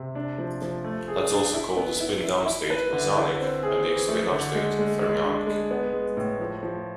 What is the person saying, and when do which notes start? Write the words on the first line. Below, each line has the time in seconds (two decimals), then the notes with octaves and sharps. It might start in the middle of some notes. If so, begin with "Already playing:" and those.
Let's also call the spin down state "bosonic" and the spin up state "fermionic".
Already playing: C3
0.15 D4
0.38 F3
0.62 F3
0.84 A3
1.08 G#4
1.30 D4
1.54 E4
1.77 B3
2.00 E4
2.24 E4
2.46 E4
2.70 B4
2.93 D3
3.15 E4
3.40 C4
3.63 G#4
3.86 E3
4.09 A3
4.32 D3
4.55 G#3
4.79 G#3
5.01 G#3
5.25 D4
5.47 G#3
5.71 B3
5.93 G#3
6.17 A2
6.39 F3
6.63 F3